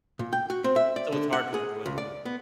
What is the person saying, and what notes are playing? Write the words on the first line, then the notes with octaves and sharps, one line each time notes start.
Uh, so, it's hard to enjoy the movie.
A#2
G5
F#4
C4
E5
D5
D3
F#5
G#4
C#2
D5
B3